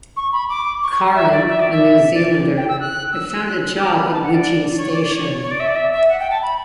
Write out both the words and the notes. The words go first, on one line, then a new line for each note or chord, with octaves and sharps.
Carron, a New Zealander, had found a job at Wydgee Station.
C#6
B5
D6
C#6
E5
D5
E5
D5
E5
D5
D5
G5
E6
F#6
E6
E6
F#6
D6
B5
A5
F#5
D5
C#5
D5
D5
C#5
C#5
D5
E5
D5
E5
E5
F#5
G5
A5
B5